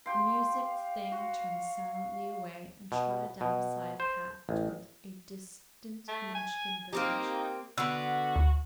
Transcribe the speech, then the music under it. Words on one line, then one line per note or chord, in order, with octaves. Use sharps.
The music thing turned silently away and trotted down a side path, toward a distant Munchkin village.
G4 F5 G5 C6
F#4
B2
B2
C5
A1
A3
G#5
A#3 C4 D#4 G4
D3 B3 F#4 E6
D2